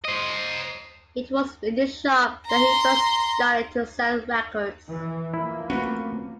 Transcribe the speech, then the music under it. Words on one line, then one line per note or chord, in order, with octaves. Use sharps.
It was in this shop that he first started to sell records.
C5 D#5
A#5 C6
E3
F3 A#3 E4
A3 C4 C#4 F#4 B4